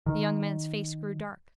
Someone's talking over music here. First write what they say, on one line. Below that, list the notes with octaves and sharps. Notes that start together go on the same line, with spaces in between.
The young man's face grew dark.
D#3